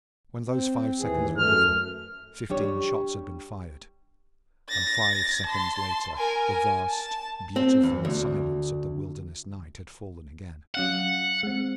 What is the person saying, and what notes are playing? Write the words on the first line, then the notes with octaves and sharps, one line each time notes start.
When those five seconds were over fifteen shots had been fired, and five seconds later the vast, beautiful silence of the wilderness night had fallen again.
C4
D#2 E3 G#4
F#2 A3 F6
G3 D4 G4 C#5
A6 A#6
A5 C6
A#4 G#5
G#5
A5
C4
E2
D2
F#3 C#4 F5 F#5
G#3 C4